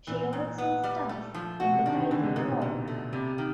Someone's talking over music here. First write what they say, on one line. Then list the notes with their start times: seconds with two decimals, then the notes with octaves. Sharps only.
She also stars in the title role.
0.07 A#2 E3
0.33 G#2
0.58 B3
0.84 G3
1.09 A3
1.34 F3
1.59 B2 F#4
1.73 C3
1.86 D#3 D4
1.98 D#3
2.11 D3 E3
2.23 C3
2.36 G#2 B2
2.49 A#2
2.61 G#2 B2
2.88 A3
3.13 C3 G3
3.38 D#3